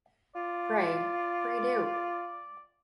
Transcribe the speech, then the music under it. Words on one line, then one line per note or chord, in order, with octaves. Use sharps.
Pray, pray do.
F4 D5